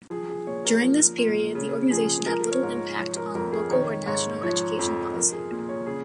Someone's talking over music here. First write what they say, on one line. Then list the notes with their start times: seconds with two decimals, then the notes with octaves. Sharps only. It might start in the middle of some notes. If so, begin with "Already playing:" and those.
During this period, the organization had little impact on local or national education policy.
0.10 F3 G#4
0.29 G#4
0.47 A#2 C#5
0.65 A#4
0.83 F3
1.18 A#2
1.55 C#3
1.90 F3 G#4
2.26 F3 A#4
2.51 C#5
2.63 G#2
2.75 C#5
2.99 F3 C#5
3.17 A#4
3.35 F2 A#4
3.52 G#4
3.71 D#3 C#5
4.06 G#2 C#5
4.43 F3 C#5
4.79 F2
5.15 F3 A#4
5.32 G#4
5.51 A#2
5.69 C#5
5.86 C#3 G#4